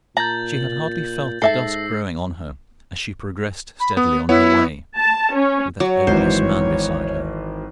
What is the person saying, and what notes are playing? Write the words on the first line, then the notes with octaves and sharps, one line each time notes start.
She had hardly felt the dusk growing on her as she progressed steadily on her way, with that odious man beside her.
A#2 A5 A#5 G6 A6 F#7
G#2 A4 E5 A5 E6 A#6 C7
B5
B3 D#6
B3 E4 C#5 F#5
A5
C#4
F#3 C#5
G#1 E3 C5